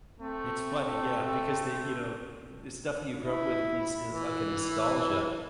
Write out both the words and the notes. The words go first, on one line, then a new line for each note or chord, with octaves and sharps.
It's funny. Yeah, because the you know, the stuff that you grew up with is is like a nostalgia.
A3 C4
E4
E3